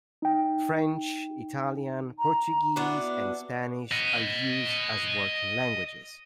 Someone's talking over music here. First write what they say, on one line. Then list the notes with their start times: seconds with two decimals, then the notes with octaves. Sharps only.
French, Italian, Portuguese, and Spanish are used as working languages.
0.22 D#4 G5
2.19 A#5
2.76 B3 D4 E4 F#4
3.92 D#5 F#5